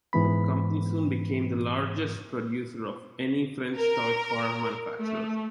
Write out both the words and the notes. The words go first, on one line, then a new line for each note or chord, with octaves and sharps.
The company soon became the largest producer of any French toy car manufacturer.
G#2 E3 B3 B5
A#4
A3